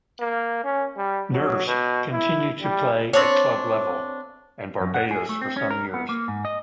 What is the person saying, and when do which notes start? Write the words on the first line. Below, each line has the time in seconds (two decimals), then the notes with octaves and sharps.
Nurse continued to play at club level and Barbados for some years.
0.20 A#3
0.64 C#4
0.97 G3
1.32 F#3
1.67 B2
2.12 E4
2.62 G3
3.13 C4 D4 C#5
4.80 F#2
4.94 F#5
5.11 G#4
5.29 A3
5.41 C4
5.57 C#4
5.71 A#4
5.94 B3
6.09 A#3
6.28 G#2
6.45 D#5